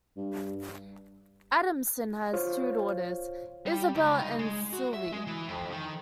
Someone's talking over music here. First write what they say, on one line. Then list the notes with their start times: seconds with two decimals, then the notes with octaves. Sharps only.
Adamson has two daughters, Isabelle and Sylvie.
0.17 G2
2.33 F4 C5 C#5 F5
3.66 G3
3.95 C#2
4.21 D#4
4.39 G#3
4.73 F#4
4.94 E5
5.13 G#3
5.27 E3
5.48 F2
5.72 D#3